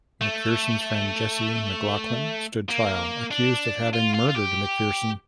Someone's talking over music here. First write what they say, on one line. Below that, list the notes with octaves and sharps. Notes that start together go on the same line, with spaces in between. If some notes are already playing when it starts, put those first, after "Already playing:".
McPherson's friend Jessie McLachlan stood trial, accused of having murdered McPherson.
A3
A#3
D4
F4
F4
F4
G4